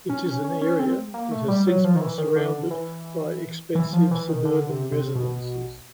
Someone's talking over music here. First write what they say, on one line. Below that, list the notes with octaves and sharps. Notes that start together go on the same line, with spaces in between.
It is an area that has since been surrounded by expensive suburban residences.
C#4
C#4
C#4
C#4
C4
A#3
A3
G3
F#3
F3
D#3
E3
D#3
D3
E3
E3
F3
E3
D#3
D3
C3
C3
B2